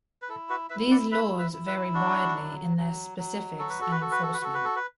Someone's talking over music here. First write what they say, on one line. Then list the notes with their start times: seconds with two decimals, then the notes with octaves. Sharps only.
These laws vary widely in their specifics and enforcement.
0.22 B4
0.29 E4 A4
0.49 F#4 B4
0.70 E4 B4 E5
0.91 D5 F#5
1.11 E4 B4 E5
1.38 B4 E5
1.53 E4
1.67 B4 E5
1.94 D4 F#4
2.35 F#3
2.77 F#3
3.18 F#3
3.59 F#4 A4
3.69 B4
3.81 A4
3.91 B4
4.00 F#4 A4
4.12 B4
4.23 A4
4.33 B4
4.41 F#4 A4
4.55 B4
4.65 A4
4.76 B4